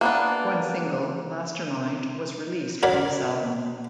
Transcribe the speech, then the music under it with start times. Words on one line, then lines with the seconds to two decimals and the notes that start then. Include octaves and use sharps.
One single, "Mastermind" was released from this album.
0.01 A#3 B3 D4
2.83 F#4 A#4 C#5 D5 B5